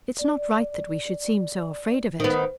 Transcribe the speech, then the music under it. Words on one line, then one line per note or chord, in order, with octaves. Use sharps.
It's not right that we should seem so afraid of it.
D5
D#3 B3 C5